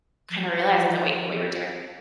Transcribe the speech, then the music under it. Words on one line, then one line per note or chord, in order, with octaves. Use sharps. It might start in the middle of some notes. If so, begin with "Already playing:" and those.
kinda realizing that wha what you were doing
F3